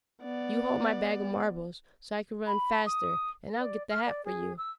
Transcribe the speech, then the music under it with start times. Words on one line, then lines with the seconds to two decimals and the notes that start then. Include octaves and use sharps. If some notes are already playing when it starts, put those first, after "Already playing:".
"You hold my bag of marbles so I can run faster, and I'll get the hat for you."
0.22 B3 D5
2.47 B5
2.86 D#6
3.59 D5
3.90 F6
4.06 D5
4.25 G#4
4.58 E6